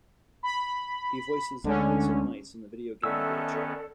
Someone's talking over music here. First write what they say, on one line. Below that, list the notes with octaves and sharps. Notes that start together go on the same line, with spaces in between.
He voices Vincent Meis in the video game "The Witcher".
B5
D2 D3 G#3 C#4
D#3 B3 C#4 A4 D5 E5 E6